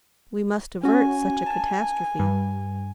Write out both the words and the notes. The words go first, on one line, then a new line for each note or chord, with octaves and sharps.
We must avert such a catastrophe.
C#4 F#4 G#5
A5
G2 G3